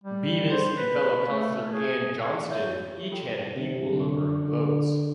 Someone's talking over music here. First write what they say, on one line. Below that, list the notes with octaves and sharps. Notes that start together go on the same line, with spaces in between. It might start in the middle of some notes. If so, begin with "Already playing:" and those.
Beavis and fellow councillor Anne Johnston each had an equal number of votes.
G3
C5
B4
A3
G#4
C#5 E5 C#6
F#4 C#5
F4 G4
F4 A4 G5 C6
C3
D3
D3